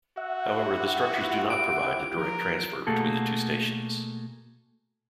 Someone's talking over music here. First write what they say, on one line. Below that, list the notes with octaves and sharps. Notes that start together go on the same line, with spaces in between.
However, the structures do not provide a direct transfer between the two stations.
F#4 E5 F#5
E4 F4 G4
D7
F3 A#4
B2 A3 A#3 F#4 G#4 A4